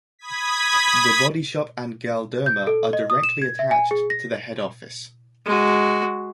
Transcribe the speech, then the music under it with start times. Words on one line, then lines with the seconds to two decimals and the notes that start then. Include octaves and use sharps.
The Body Shop and Galderma are directly attached to the head office.
0.19 B5 D#6 G#6 B6
2.46 G6
2.67 A4
2.93 D#5
3.10 D#6
3.23 E7
3.42 G#6
3.59 E5
3.71 G#5
3.91 G#4
4.10 A#6
5.46 G#3 F#4